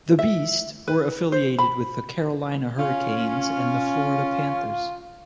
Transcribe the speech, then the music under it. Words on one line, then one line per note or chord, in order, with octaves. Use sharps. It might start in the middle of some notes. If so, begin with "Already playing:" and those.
The Beast were affiliated with the Carolina Hurricanes and the Florida Panthers.
E5
B4
C5
B5
C#4 F4